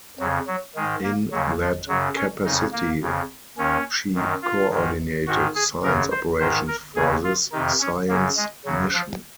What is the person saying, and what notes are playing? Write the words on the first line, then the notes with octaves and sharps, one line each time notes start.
In that capacity she coordinated science operations for this science mission.
F2 C#3 F#3
F#3
G#2 D#3 G#3
A#3
D#2 C#3 F#3
F3
F#2 C#3 F#3
C#4
F2 C#3 D#4
A#3
F2 C#3
D#2 D#3 C#4
F#2 D#3
F4
G#2 D#3
G#2 D#3 F#4
G#4
F#2 C#3 A#4
C5
G#2 D#3 C5
A#4
D#2 C#3 G#4
F4
F2 C3 D#3 D#4
C#4
F#2 C#3 A#3
G#3
F#2 C#3 F#3
F3